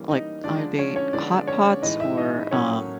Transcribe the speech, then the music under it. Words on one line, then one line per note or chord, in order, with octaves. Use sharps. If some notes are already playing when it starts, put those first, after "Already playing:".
like, are they hot pots or, um,
Already playing: E3 G3 A#3 C#4
D#4 D#5
D3 F3 G#3 D4 D5
C#4 C#5
C#4 C#5
D3 F3 G#3 B3 D4 D5
C#4 C#5
A2 E3 G#3 D#4 D#5
E4 E5
D#4 D#5
A2 F#3 A#3 C#4 C#5